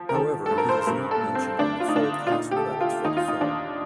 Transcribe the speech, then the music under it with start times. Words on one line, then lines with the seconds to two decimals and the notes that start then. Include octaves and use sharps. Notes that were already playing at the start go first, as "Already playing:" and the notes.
However, he is not mentioned on the full cast credits for the film.
Already playing: F3
0.09 A#4
0.14 D#3 A4
0.46 G2 A4
0.58 A#4
0.69 C5
0.87 G2 A#4
1.11 A4
1.24 G2
1.35 C4
1.59 D2 D4
1.80 F4
1.88 D#4
1.96 D3 D4
2.27 F4
2.32 A#2 D#4
2.51 G4
2.56 A4
2.68 C2
2.81 F4
3.04 D#2 D#4
3.17 F4
3.28 D#4
3.41 D#2 D4